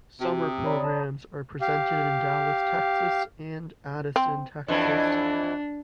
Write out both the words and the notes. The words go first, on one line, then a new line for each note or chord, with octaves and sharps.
Summer programs are presented in Dallas, Texas, and Addison, Texas.
C3 F#4
D#6
C#5 D5 A#5 B5
A5 D#6
G4 F5
C4
F2 E3 D4